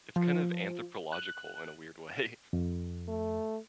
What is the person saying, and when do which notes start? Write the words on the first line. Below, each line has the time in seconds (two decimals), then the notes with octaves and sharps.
It's kind of anthropological in a weird way.
0.16 F3
1.12 F#6
2.53 F2
3.08 A3